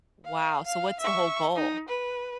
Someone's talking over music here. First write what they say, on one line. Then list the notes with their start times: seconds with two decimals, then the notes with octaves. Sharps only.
Wow, so, what's the whole goal?
0.25 F5
0.66 F5
1.00 E5 C#6
1.55 D#4
1.89 B4